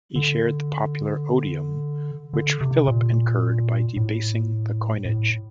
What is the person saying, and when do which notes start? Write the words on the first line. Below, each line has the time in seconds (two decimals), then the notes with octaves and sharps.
He shared the popular odium which Philip incurred by debasing the coinage.
0.16 D3
2.33 D3
2.61 C3
2.88 A#2
3.97 A2
5.05 A2